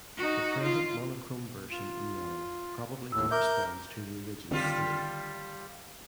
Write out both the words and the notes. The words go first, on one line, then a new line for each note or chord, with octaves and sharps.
The present monochrome version in yellow probably corresponds to the original state.
D#4 F#4
F4
F4
D#2 A2 E6
A#4 E5 D6 G6
D3 D#3 G3 C4 F4 G4